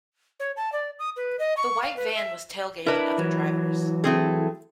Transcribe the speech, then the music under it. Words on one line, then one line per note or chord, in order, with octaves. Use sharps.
The white van was tailgating other drivers.
C#5
A5
D5
D#6
B4
D#5
C#6
F5
B4
E5
D4 E4 A#4 B4 E5
E3 F#3
A3 C4 G#4